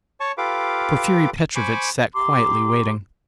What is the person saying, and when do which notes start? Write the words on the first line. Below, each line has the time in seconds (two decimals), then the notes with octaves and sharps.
Porfiry Petrovitch sat quietly waiting.
0.20 C#5 A5 C#6
0.38 F4 G4 A4 B4 F5 D6
1.56 C5 G#5 B5 C#6 D6
2.14 G4 A#5 C6 D6